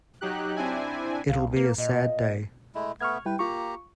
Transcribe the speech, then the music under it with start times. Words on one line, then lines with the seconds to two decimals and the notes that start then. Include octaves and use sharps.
It'll be a sad day.
0.21 F#3 D#4 G4 F#6
0.56 C4 D4 E4 G#5
1.28 C2 F5
1.56 A#3 B4
1.78 A#2 D#5
2.75 G#3 A3 E4
3.00 A3 B3 C#6 F6 G#6
3.26 G3 E4 B4 G5
3.39 A#3 F4 G4 A#5 C#6